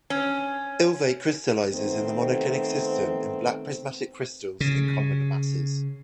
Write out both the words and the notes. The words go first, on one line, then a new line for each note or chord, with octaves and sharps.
Ilvaite crystallizes in the monoclinic system in black prismatic crystals and columnar masses.
C#4
D#3 A3 B3 C4
C#3